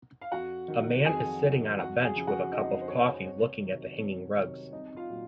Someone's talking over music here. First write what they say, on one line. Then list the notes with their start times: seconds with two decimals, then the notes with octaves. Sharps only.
A man is sitting on a bench with a cup of coffee looking at the hanging rugs.
0.21 F5
0.32 F2 F#4 F#5
0.68 D#3 F#3
1.05 F2 G#4 G#5
1.43 D#3 F#3
1.79 F2 F#4 F#5
2.03 G#4 G#5
2.16 C#3 F3
2.27 F#4 F#5
2.52 F2 D#4 D#5
2.81 C5
2.89 C#3 F3 C#5
3.25 C2 C#5
3.62 C3 D#3 F#3
3.98 C2 C#5
4.36 C3 D#3 F#3 C#5
4.73 C2 D#4 D#5
4.96 F4 F5
5.09 A#2 F#3